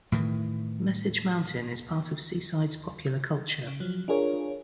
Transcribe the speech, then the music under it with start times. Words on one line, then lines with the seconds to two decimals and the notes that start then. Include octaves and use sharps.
Message Mountain is part of Seaside's popular culture.
0.12 A2 D#3 E3
3.67 C#3
3.80 F3 F#3
4.08 D4 F4 G#4 A#4 C#5